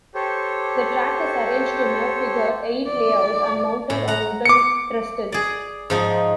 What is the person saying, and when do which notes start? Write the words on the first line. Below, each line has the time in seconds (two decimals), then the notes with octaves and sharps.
The track is arranged in a figure-eight layout and mounted on wooden trestles.
0.15 G4 A4 C5 C#5
2.87 D5
3.90 A2
4.08 F#5 A#5
4.45 D6 C#7
5.32 G#4 D5
5.90 G#2 F3 D#4